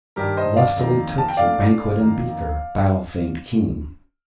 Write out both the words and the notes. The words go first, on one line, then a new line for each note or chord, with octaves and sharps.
Lustily took he banquet and beaker, battle-famed king.
G2 D#3 G3 G4 A#4
C5 D#5
D5 F5
F2 D#3 A#3
A5
G5
A#2 A3 D4 D5 F5
F2 D#3 A#3